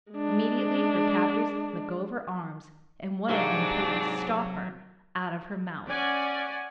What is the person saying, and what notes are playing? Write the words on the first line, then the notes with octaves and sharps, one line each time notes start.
Immediately her captors let go of her arms and one of them pulled the "stopper" out of her mouth.
G#3 D4
G#2 C3 F#3 A#3 D4 F#4
C#4 D5 F#5 G#5